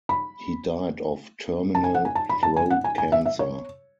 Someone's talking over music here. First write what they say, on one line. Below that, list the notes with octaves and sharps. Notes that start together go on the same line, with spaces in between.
He died of terminal throat cancer.
B5
A5
G#5
F#5
G#5
A5
B5
A5
G#5
F#5
G#5
G#5
E5
E5
C#5